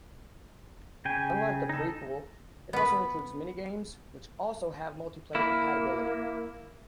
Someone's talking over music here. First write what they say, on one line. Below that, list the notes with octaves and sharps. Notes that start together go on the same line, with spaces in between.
Unlike the prequel, it also includes mini-games, which also have multiplayer compatibility.
C#3 G5 G#5
D#4 A4
B3 B4
A#3 E4